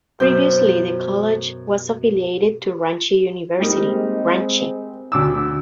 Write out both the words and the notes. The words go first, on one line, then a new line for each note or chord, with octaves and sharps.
Previously the college was affiliated to Ranchi University, Ranchi.
F#2 B2 C5 G6
G3 G#3 A#3 C4 D#4
D2 D6 E6